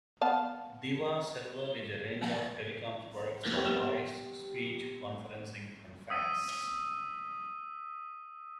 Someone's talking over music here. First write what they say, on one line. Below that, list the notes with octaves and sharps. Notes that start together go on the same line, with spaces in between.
Diva Server is a range of telecoms products for voice, speech, conferencing and fax.
B3 F5 A5
B3 G4
D#6 E6 B6 D#7